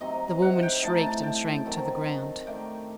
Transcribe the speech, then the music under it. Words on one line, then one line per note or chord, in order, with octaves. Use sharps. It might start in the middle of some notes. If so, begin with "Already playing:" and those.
The woman shrieked and shrank to the ground.
C3 F#3 C4 D#4 D#5
F#5
G5
A2 A3 D#4 A5
A5
G5
D#3 F#3 C4
D#3 A3 D4 G5